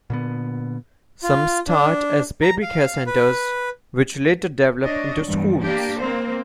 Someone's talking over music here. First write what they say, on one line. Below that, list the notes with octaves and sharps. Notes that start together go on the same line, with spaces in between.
Some start as babycare centres, which later develop into schools.
A#2 D3 B3
F4
D4
A#5
F5
B4
D4 C#5 D#5
E2 G2 E3
A#3 D4 G4
A#3 C4 C5